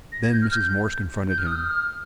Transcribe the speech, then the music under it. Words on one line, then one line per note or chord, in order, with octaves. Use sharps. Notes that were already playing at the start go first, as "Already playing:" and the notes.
Then Mrs. Morse confronted him.
A#6
G#6
G6
F6
G6
G6
F6
D#6
F6
F6